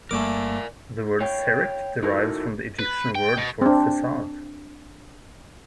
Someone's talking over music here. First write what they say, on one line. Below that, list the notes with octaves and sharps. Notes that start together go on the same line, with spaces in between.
The word "serekh" derives from the Egyptian word for "facade".
G1 G3 A3 A#3 A#4 D5 G#5 D6
C#5 F5 G5
D#4 E4 F#4 A4 A#4
B4
G5
B2
C4 D4